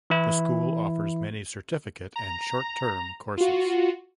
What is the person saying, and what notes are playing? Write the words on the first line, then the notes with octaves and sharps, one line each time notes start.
The school offers many certificate and short term courses.
E3 E4
A#5
F4 F#4